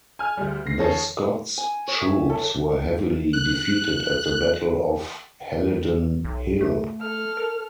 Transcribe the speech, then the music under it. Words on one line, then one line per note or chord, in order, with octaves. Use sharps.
The Scots troops were heavily defeated at the Battle of Halidon Hill.
G#5 F6
D2 G3
A#6 C7
C#4 G#4 A4 C#5
G#5
C#5
E5
A4
F#6
B1
A3
A4 F6
A#4